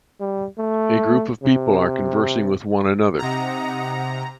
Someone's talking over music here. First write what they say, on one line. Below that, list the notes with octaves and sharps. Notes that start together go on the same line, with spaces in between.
A group of people are conversing with one another.
G3
A3
C3
C3 D#4 F#5 A#5